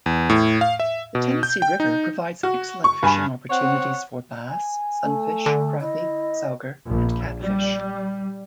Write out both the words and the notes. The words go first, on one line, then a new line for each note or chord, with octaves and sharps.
The Tennessee River provides excellent fishing opportunities for bass, sunfish, crappie, sauger, and catfish.
E2
A2
F5
E5
B2
G6
G5
D#4
F#4
C#6
G2 G#5 B5
C4 C#5 F#5
G#5
A3
D3
E4 D#5
A#1
G3